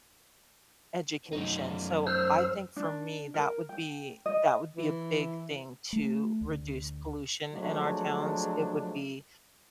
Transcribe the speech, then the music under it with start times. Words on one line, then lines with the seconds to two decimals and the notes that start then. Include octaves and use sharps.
education, so I think for me, that would be that would be a big thing to reduce pollution in our towns, it would be
1.33 F#2 D#4
2.07 C5 E6 F6
2.77 D4
3.34 A#4
3.69 G5
4.26 D#5
4.76 E3
5.93 A3
6.41 D2
7.52 F3 F#3 G#3 A3 D4